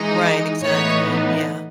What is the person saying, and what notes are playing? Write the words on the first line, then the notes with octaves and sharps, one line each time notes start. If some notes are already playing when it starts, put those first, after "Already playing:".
Right, exactly, yeah.
Already playing: E3 G#3 D#4
A2 E3 B3 D#4 C#5